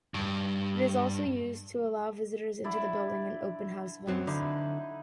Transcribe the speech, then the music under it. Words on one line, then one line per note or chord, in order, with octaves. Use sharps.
It is also used to allow visitors into the building in open house events.
G2
D3 E4 D5
F#2 F#3 C4
D3 D#4 E4 F#5